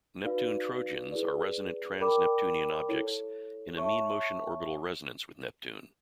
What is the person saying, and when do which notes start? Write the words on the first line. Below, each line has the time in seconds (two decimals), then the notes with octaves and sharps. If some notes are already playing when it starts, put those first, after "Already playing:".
Neptune trojans are resonant trans-Neptunian objects in a mean-motion orbital resonance with Neptune.
0.23 D#4 F#4 B4 D5 F5
1.12 E4 G#4 B4 D5
1.99 A#4 D5 G5 B5 D6
2.88 E4 A4 C#5
3.77 C#5 E5 A5 C#6